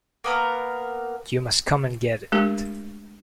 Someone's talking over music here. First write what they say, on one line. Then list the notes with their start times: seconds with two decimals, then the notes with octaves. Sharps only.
You must come and get it.
0.24 A#3 B3 A#4
2.32 G#3 A3 D4 G4 A#4